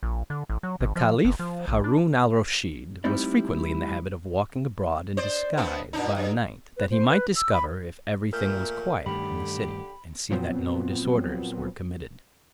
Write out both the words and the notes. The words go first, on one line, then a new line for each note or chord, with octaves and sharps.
The caliph Haroon al Rusheed was frequently in the habit of walking abroad in disguise by night, that he might discover if every thing was quiet in the city, and see that no disorders were committed.
A#1
D3
A1
F#3
G#1
F3
F#1
F3
A#1
D4
G3 A3 C4 D#4 E4 D5
C5 D5
B3 C4 D4
A#2 D4 D#4
G2
B4
C5
B4
E6
B5
A#2 A3 A#3 A#4 G6
G2 D3 D#3 A3 G4 B5
A#2 F3 F#3 B3 C4